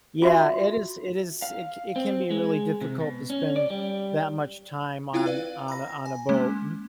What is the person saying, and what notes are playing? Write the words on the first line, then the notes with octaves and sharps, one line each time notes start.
Yeah, it is it is it c it can be really difficult to spend that much time on on a on a boat. and
F4 F#4 E5 C6
F5
C4
G#3
C3
B2
C#4
D5
G3
C4 E4 F4 F5 G5 F#6
B4 D5 F5
A#5 B5 A#6
G#5
G#3 A#3 C#4